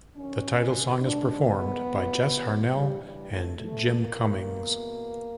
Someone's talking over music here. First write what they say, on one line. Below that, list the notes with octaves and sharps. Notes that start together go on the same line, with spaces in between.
The title song is performed by Jess Harnell and Jim Cummings.
F#2 D#3 C#4
G#2 D#3 D4
B3
E2 B2
G2 E3 G3
G3
A3
E2 C3 E3 A3
A#3
E2 B2